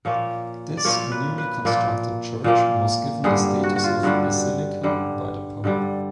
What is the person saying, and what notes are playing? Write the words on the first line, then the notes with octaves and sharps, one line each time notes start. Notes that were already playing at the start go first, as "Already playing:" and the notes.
This newly constructed church was given the status of basilica by the pope.
A#2 F3 A#3 C#5
D5
A#2 F3 A#3 C#5
B4
B4
A#2 F3 A#3
A#2 F3 A#3
G2 D3 G3 G#4
F#4
F#4
F4
G2 D3 G3 F#4
G2 D3 G3
G2 D3 G3